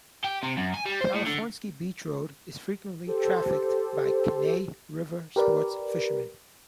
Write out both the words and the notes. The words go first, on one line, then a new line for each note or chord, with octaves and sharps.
Kalifornsky Beach Road is frequently trafficked by Kenai River sports fishermen.
G4
C3
F#2
G#5
G3
C5
A2
D3
G4 A4 C5
G4 A#4 B4 D5